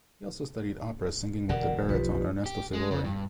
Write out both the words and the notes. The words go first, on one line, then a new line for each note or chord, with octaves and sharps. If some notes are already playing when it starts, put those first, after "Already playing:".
He also studied opera singing with the baritone Ernesto Sivori.
E1 B2 D3 A#4 D5 F#5
B1 F3 G4 B4
G4
G#3
C#3
G2